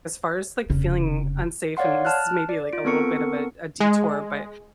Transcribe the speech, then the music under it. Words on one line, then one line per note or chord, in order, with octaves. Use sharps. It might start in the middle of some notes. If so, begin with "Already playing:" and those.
as far as, like, feeling unsafe, and this is maybe, like, a little bit of a a detour, but,
F1 C#3
C#5 D5 F5 F#5 C6
A5 F6 F#6
D5
F4 D7
B3 C4 A4 A#4 C#6 C#7
G#3